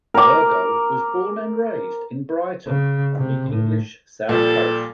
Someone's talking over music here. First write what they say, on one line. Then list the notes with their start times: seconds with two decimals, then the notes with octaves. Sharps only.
Virgo was born and raised in Brighton, on the English South Coast.
0.14 A#4 D6
2.68 C#3
3.18 C3
3.50 A2
4.29 A#2 F3 G3 A4